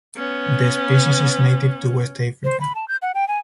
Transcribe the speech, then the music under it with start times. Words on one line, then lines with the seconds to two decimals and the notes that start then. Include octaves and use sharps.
The species is native to West Africa.
0.16 B3 C#4
2.44 C5
2.61 B5
2.75 A5
2.88 G6
3.02 F#5
3.15 G5
3.28 G#5